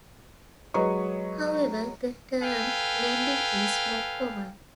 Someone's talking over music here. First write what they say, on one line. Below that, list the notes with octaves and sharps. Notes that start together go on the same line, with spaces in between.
However the term "lending" is more common.
F#3 G#3 B4 C#5 D#5 C#6
A4 B4 F5 G5 G#5